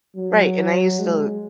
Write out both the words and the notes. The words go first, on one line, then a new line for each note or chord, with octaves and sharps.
Right, and I used to,
F#3
G#3